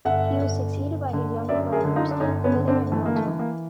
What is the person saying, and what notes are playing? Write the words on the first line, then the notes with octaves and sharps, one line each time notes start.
He was succeeded by his younger brothers William and Walter.
G1 E5 F#5
G1
G1
D3
F#2 D5 E5
G#4 A#4
D3
D#4 F4
D4
G1 C#4 D#4
B3 C#4
D3
C4 D4
E3 A3
A#3
A3
E3
A#3